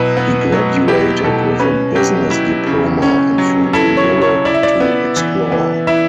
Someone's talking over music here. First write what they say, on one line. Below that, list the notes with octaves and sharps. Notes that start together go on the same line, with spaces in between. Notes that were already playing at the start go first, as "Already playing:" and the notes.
He graduated with a business diploma and flew to Europe to explore.
Already playing: B2 F#3 E4 B4
B3
F#3
E4 G4
B2 A4
C#4 B4
F#3 G4
E4
C#3
C#4
F#3
E4 A4
C#5
C#3
C#5
E4 D5
E5
D5
B3
E3
E3
E4 E5